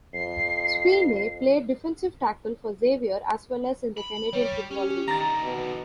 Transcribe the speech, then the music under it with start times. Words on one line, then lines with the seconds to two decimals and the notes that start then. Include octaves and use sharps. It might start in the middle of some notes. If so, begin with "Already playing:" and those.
Sweeney, played defensive tackle for Xavier as well as in the Canadian Football League.
0.14 F2 C7
3.97 B5
4.33 G3 C#5
4.71 C#4 G4
5.08 D3 D#3 A#5 A6
5.44 B2